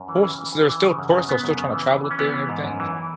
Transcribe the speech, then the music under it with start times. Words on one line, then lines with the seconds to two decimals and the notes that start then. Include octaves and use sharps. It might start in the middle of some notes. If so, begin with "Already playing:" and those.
Oh s so there's still tourists are still trying to travel up there and everything?
Already playing: F#2
0.08 E3
0.15 C#4
0.23 E3
0.39 E3
0.53 E3
0.69 E3
0.83 C#3
0.98 F#2
1.14 C#3
1.29 C#3 B3
1.44 F#2
1.58 C#3
1.74 E3
1.89 E3
2.04 E3
2.11 C#4
2.19 E3 B3
2.34 E3
2.49 G#2
2.64 F#2
2.80 E3